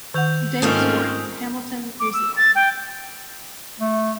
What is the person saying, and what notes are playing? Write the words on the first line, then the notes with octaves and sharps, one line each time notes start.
Day was born in Hamilton, New Zealand.
D#3 F#5 E6 G6 F7
G#2 A3 A#3 C4 C#4 F4 D#6
D6
E6
A6
G5
A3